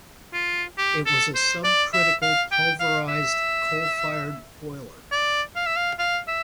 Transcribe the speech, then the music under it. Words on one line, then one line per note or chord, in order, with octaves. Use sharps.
It was a 'subcritical' pulverized coal-fired boiler.
F4
G4
A4
C5
D5
E5
F5
G5
F5
E5
D5
F5
E5
F5
F5
E5